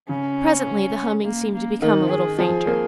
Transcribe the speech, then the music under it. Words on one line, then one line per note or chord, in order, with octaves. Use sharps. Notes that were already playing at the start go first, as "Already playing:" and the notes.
Presently the humming seemed to become a little fainter.
C#3 C#4
A#3
A#3
D#3 D#4
G#4
F3 G#4
A#3